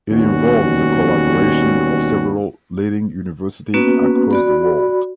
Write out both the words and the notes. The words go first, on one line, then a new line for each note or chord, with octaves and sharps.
It involves the collaboration of several leading universities across the world.
D#2 B2 G3 C#4 F#4
A#3 B3 C#4 F#4 B4
F#4 D5 B5